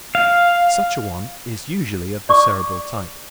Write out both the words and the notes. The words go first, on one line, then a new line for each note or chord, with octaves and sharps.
Such a one is usually of the Cerebral type.
F5
D5 C#6 D6